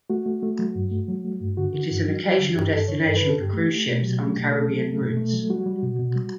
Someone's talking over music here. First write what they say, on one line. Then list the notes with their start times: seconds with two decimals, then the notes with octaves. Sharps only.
It is an occasional destination for cruise ships on Caribbean routes.
0.10 A3 F#4
0.26 A3
0.43 A3
0.59 F#3
0.75 G2
0.91 A3
1.08 F#3
1.24 A3
1.41 G2
1.57 D3 F#4
1.74 D3
1.90 G2
2.06 F#3
2.23 F#3
2.39 D3
2.55 G2 G4
2.71 G2 A4
2.88 D3 C#5
3.04 G2 A4
3.17 D3 B4
3.29 A4
3.37 G2 G4
3.53 A3
3.70 A3
3.86 B2
4.03 F#3
4.19 A3
4.36 B2
4.52 A3 A4
4.68 F#3
4.85 A3
5.01 B2
5.17 A3
5.33 F#3
5.50 G3 F#4
5.66 G3
5.83 B2
5.99 B2
6.15 G3